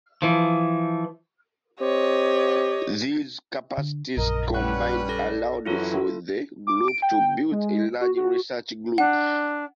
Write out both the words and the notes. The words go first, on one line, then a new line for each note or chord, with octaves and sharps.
These capacities combined allowed for the group to build a large research group.
E3 F3
C4 G4 C#5 D#5
D3
A#1 F#2 A#4 D#5
G3 C#4 B4 F#5 C#6 F#6
A4 D5 A#6
F#2 E3 F#3 E4 F4 A4
D6
D7
G5
G#3
F#4
F#4
D4 F#5